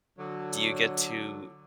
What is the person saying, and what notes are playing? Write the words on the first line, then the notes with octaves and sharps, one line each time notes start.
Do you get to
D3 F#3